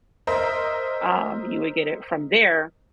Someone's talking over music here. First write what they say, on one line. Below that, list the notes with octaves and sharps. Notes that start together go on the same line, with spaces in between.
um, you would get it from there
A#4 C5 D#5 E5